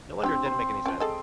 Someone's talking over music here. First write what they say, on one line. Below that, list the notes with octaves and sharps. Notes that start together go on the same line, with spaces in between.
No wonder it didn't make any sense."
C4 D4 G4
C5
F3 C#4 G5
G#4 A4 D#5